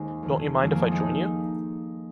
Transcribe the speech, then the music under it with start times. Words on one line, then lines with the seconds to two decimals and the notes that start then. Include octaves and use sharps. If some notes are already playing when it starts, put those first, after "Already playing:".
Don't you mind if I join you?
Already playing: D#2 D#3 G#3 A#3 C4 D#4
0.23 F2 D#3
0.62 F2 D#3 G#3
0.71 F3 A#3
0.82 F3
0.91 D#4 G#4